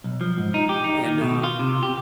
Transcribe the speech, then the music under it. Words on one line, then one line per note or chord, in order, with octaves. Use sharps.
and, uh,
B1
F3
G#2
D#4
G4
D#4
D#3
B2
F4
C3
G4